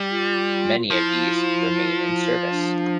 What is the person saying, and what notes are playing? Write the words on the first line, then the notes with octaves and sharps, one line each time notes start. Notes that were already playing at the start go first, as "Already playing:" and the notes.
Many of these remain in service.
Already playing: G3
F4
F3 E4
D4